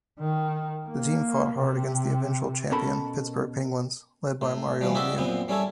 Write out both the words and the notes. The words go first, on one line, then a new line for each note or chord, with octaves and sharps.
The team fought hard against the eventual champion Pittsburgh Penguins, led by Mario Lemieux.
D#3
A#3
C3
B2 C#4 A4 A#4 B5
A2
A#2 E3 F3 G3
D#4 E4 F#4 G4 D5 E5
F#2 A#2 B3 C4
G3 C#4 E4 A4 C#5